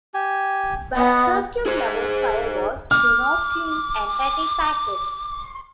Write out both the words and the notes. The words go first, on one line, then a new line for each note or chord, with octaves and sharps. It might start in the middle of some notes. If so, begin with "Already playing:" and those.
But circuit-level firewalls do not clean entity packets.
G4 G#5
B3 D#5 F#5
G#4 C5
D6 F6